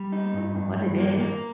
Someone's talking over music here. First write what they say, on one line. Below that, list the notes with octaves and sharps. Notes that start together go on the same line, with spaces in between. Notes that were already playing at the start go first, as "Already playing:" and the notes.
I don't know what it is.
Already playing: G3
D#4
G2
G2
G2
A#3
A#3